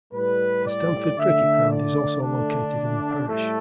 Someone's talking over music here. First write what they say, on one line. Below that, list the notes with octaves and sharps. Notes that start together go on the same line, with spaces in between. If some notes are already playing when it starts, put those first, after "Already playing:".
The Stanford Cricket Ground is also located in the parish.
A2 G3 B4
D5
D3 A3 E5
D5
D3 A3 D4
A2 G3 A3